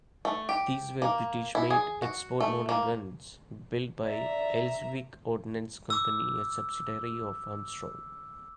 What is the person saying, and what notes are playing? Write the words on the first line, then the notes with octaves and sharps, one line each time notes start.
These were British-made export-model guns built by Elswick Ordnance Company, a subsidiary of Armstrong.
A3
G4
A#3
E4
G#4
F#4
A3
A#3
D5 E5 A#5
D6 E6